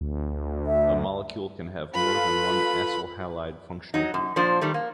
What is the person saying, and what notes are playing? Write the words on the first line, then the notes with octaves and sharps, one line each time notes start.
A molecule can have more than one acyl halide functional group.
D2
E5
F4 A4 B4 B5
F#3 D#4
F#2
A#2 F3 D4 C5
D#3 G3 A3
A#3